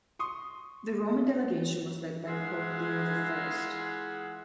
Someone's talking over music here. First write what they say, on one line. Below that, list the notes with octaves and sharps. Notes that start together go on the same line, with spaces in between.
The Roman delegation was led by Pope Leo the First.
C6 C#6 D#6
E3 G#3 F4 G#4 E5 F#5